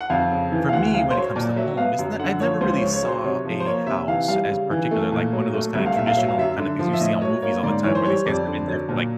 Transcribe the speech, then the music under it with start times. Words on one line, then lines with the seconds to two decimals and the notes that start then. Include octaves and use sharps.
for me, when it comes to home, it's not I've never really saw a house as particular, like one of those kind of traditional kind of things you see on movies all the time where these guys have been there like
0.01 F#5
0.10 F2 F5
0.31 C#3
0.52 E3
0.69 F5
0.73 D2 F#5
0.94 C#3 F5
1.10 C5
1.15 F#3 C#5
1.36 A#2 D5
1.56 F#3 E5
1.77 B3 F5
1.99 F#2
2.19 D3 F#5
2.40 F3 C#5
2.61 C#2 C5
2.77 C#3 C#5
2.93 C#5
3.03 F#3
3.08 C5
3.24 C3 C#5
3.45 F3
3.60 C5
3.66 A#3 C#5
3.87 C3 E5
4.07 E3 F5
4.28 G3 F5
4.49 C#3
4.71 E3
4.91 A3
5.12 A#2
5.33 F#3
5.54 A3
5.75 C2 E5
5.86 F5
5.96 A#2 E5
6.07 F5
6.17 F#3 E5
6.29 F5
6.38 F#2 E5
6.59 D3
6.79 F3
6.93 E5
7.01 A2 D#5
7.21 F#3 C#5
7.42 A#3 C#5
7.63 G#2 D5
7.84 E3 C#5
7.95 C5
8.05 G3 C#5
8.26 F2 D5
8.47 D3
8.68 F#3
8.89 A#2